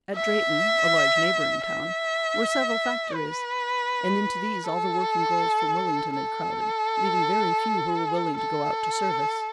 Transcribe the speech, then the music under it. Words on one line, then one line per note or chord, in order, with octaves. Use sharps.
At Drayton, a large neighbouring town, were several factories, and into these all the working girls from Willington had crowded, leaving very few who were willing to go out to service.
E5
E5
B4
A4
A4
A4